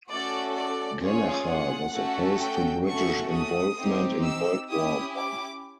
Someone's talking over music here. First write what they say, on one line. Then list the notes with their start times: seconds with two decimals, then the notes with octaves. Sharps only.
Gallacher was opposed to British involvement in World War One.
0.10 A3 C#4 F#4 A4 D5
0.56 D5
1.02 C#4 F4 G#4 C#5
1.48 F#5
1.94 A3 C#4 F#4 A4
2.40 G5
2.86 A3 C#4 F#4 A4 C#6
3.33 D#6
3.78 C4 D#4 G4
4.24 E6
4.70 C#4 E4 G4 D#6
5.16 D6